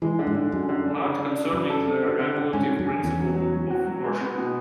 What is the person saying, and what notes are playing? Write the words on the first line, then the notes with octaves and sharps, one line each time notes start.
Hart concerning the regulative principle of worship.
E3 G#3
D3
G#2
D3
F#2 G#3
D3
D4
C#3
D4
D4
F#2 C#3
A4
A4
D3
D3
D3
G#2 C#4
C#4
F#2
G#4
E2 C#4
F#3
F#3
F#3
F#4
F#3
G#3
B3
B2